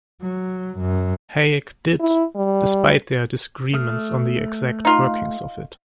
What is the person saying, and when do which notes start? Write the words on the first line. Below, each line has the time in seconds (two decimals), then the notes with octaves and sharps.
Hayek did, despite their disagreements on the exact workings of it.
0.22 F#3
0.79 F#2
1.99 E4
2.36 G3
3.74 A3 D#6 F6
4.85 D#4 F4